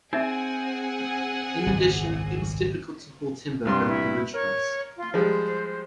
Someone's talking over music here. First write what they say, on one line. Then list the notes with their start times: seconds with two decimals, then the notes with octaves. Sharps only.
In addition, it was difficult to haul timber over the ridgecrest.
0.13 C4 D#4 G#4 E5 F#5 G#5
1.66 G#1 C#2 F#2
3.65 C2 G2 C6
3.88 E4
4.33 A#4 C#5
4.97 F4
5.14 F3 G3 G#3 C5